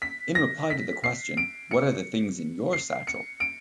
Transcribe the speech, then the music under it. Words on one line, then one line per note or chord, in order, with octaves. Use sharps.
In reply to the question, What are the things in your satchel?
B6
A#6
B6
C7
D7
C#7
C7
C#7
D7